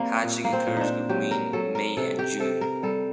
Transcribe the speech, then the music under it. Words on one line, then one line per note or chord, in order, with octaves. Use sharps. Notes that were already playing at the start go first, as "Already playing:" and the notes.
Hatching occurs between May and June.
Already playing: G3 A#3 C4
A#2
A#3
C4
A#2
D4 D#4
F#3 G4
A#4
F#3 A4
A#4
C3 A4
G4
C3 A4
A#4
G3 A4